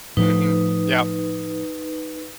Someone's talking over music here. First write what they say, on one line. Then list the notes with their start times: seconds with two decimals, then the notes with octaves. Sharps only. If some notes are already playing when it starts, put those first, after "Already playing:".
Mhm, yeah.
0.17 A2 F3 D#4 B4